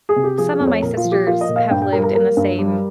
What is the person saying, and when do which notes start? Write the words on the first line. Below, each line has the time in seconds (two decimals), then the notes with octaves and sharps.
some of my sisters have lived in the same
0.09 G#4
0.16 C3
0.24 G4
0.38 F3 G#4
0.53 G#4
0.60 F2
0.67 C#5
0.82 A#2 A#4
0.97 F4
1.05 F3
1.12 G4
1.27 A#3 F4
1.41 D#5
1.49 A#2
1.56 F5
1.71 G2 G5
1.82 G5
1.93 G3 A#4
2.04 A#4
2.15 A#3 A#4
2.37 G2
2.59 G3